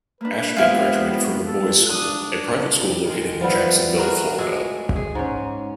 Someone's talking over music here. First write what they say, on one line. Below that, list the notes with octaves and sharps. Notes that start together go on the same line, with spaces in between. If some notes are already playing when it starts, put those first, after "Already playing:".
Ashby graduated from The Bolles School, a private school located in Jacksonville, Florida.
A#3 D4 B4
G#3 B3 E4 G4 C5 F5
A4
D4 D#6 F#6
D#3 G#3
F3 G3 B3 E4
F#4 G#4 A#4 B4
G#3 A3 G#4 E5
G#4
G#2 C#4